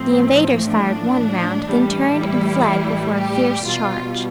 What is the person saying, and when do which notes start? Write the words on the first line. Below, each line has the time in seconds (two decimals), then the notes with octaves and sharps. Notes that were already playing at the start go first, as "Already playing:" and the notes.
The invaders fired one round, then turned and fled before a fierce charge.
Already playing: A2 F3 C4
0.66 D4
1.66 A2 E3 G3
2.16 E4
3.16 G4
3.65 B2 G3 F4